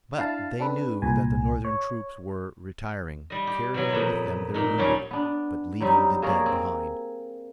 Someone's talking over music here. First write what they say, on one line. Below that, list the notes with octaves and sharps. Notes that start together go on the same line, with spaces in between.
But they knew that the Northern troops were retiring, carrying with them their wounded, but leaving the dead behind.
D4 E4 F5 A5
C4 D4 A4 B4
C2 A#2 G#5
C#5
G3 D#5
G4
B2 E3 F#3
F2 A#2 B3
A#2 D#4
F#3 G3 C#4 G4
B3 D4
F#3 G3 C4 D#4
A#3 G#4 A#4 C#5 D5
C4